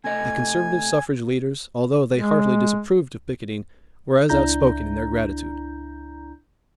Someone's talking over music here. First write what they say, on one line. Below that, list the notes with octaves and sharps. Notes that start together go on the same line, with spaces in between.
The conservative suffrage leaders, although they heartily disapproved of , picketing, were as outspoken in their gratitude.
C3 A3 D#5 G#5
G#3
C#2 D4 E4 A#5 G6